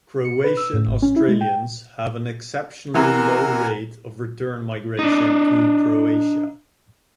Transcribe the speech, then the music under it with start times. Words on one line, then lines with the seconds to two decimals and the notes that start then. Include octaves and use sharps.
Croatian Australians have an exceptionally low rate of return migration to Croatia.
0.25 C#7
0.44 B4
0.57 E6
0.74 A2
0.88 G#1
1.02 C#4
1.16 E4
1.28 G#3
1.41 G5
2.94 C3 E3 A#4 F#5 G#5
4.99 D4 D#4